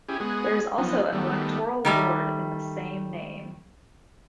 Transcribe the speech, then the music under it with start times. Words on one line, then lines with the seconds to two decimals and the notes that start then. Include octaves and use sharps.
There is also an electoral ward in the same name.
0.09 C#4 E4 G4 G#4
0.20 G#3 B3 F#4 G#4
0.78 F3 F#3 B3 D#4
1.13 D#3 G3 A3 B3
1.85 D#3 G3 A3